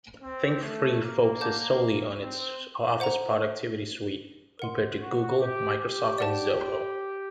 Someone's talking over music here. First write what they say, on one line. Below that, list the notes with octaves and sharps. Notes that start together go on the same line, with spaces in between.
ThinkFree focuses solely on its office productivity suite compared to Google, Microsoft, and Zoho.
C4
A3
A#3
D5 F#5 A5 D6 G6
C4
C5 F#5 A#5
A#4 F#5 C6
F#4
G4
G4
D5 F#5 A5